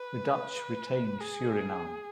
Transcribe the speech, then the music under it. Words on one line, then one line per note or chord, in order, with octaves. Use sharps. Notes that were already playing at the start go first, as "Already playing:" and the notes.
The Dutch retained Suriname.
Already playing: B4
G#4